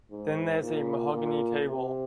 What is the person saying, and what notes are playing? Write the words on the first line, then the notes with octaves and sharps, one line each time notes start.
Then there's a mahogany table.
G#2
A#2
A#2
C3